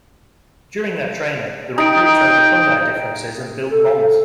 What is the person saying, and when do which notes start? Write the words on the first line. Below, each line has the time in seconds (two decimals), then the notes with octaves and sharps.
During their training, the recruits overcome their differences and build bonds.
1.78 D#4 G5 D#6 D7
3.71 A4